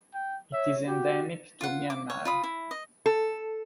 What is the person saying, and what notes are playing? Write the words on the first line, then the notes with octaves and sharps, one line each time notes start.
It is endemic to Myanmar.
G5
C#5 E5
F#4 G4
F4 F#5
D6
C#5
F4 B5 D#6
E4
D#5
A4